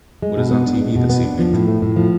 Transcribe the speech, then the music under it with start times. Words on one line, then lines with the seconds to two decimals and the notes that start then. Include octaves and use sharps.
What is on TV this evening?
0.22 G#3
0.37 B2
0.51 B3
0.66 D4
0.81 G#3
0.95 B2
1.09 B3
1.24 D4
1.39 F3
1.53 A2
1.68 A3
1.82 A2
1.96 F3